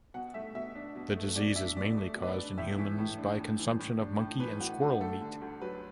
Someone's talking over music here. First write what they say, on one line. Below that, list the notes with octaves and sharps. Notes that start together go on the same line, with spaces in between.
The disease is mainly caused in humans by consumption of monkey and squirrel meat.
B2 F#5
A3 E5
B2 E5
D4
B2
A3
B2 D5
D4 E5
B2 D5
A3
B2
B4
D5
D4
A2 E5
E3
A2
D4
A2
E3
A2
D4
A2
E3 B4
A2 F#4
D4 F#4
A3 A4
D3
D2
F#3 B4